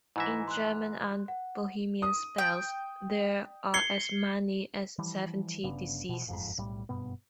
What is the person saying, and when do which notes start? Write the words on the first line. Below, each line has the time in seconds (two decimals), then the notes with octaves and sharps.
In German and Bohemian spells, there are as many as seventy diseases.
0.16 G#2 E3 E4 E5 A#6
0.47 C6 F#6
1.28 F#5
2.02 D#6
2.38 G5
3.74 G#6 C7 C#7 G7
4.99 E3 F3 G3
5.63 G1 C#3 B3 D4
6.09 B2 F3
6.27 F#1 F2 G#2
6.58 B1 A2 G3
6.89 F#1 G2 B2 B3